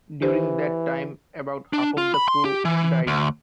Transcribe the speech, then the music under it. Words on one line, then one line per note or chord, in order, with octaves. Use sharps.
During that time, about half of the crew died.
E3 G4 C5
D4
F4
B5
C6
G4
E3
D2